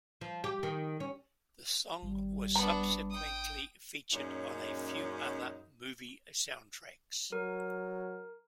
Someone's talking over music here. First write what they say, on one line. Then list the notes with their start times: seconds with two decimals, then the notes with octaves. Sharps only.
The song was subsequently featured on a few other movie soundtracks.
0.21 F3
0.44 G4
0.63 D#3
1.00 C#4
2.02 G#1 G3
2.55 B3 D4 A#5
3.10 G5 D#6
4.12 F#2 A#2 G#3 C#4 D#4
7.32 F#3 A#4